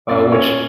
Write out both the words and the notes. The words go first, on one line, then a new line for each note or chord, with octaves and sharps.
uh, which
F#2 D5
C#4 C#5